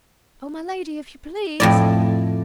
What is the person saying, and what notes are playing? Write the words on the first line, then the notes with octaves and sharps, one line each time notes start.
"Oh, my lady! if you please!"
F2 A2 D5